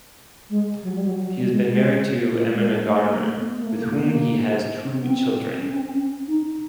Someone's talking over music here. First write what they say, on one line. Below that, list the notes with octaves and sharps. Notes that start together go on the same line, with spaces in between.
He has been married to Amina Garner with whom he has two children.
G#3
F#3
G3
F#3
F#3
G3
G#3
G#3
G#3
A3
A#3
A3
B3
A#3
A3
A#3
A#3
B3
A#3
C4
B3
C4
C4
C#4
C#4
C4
C#4
D#4